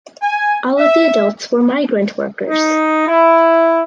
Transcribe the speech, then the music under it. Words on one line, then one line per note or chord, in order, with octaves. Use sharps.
All of the adults were migrant workers.
G#5
E5
D#4
E4